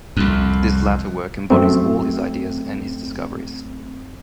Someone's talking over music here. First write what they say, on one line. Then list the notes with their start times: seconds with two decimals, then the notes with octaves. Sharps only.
This latter work embodies all his ideas and his discoveries.
0.17 C2 F2
1.50 F#2 A3 C4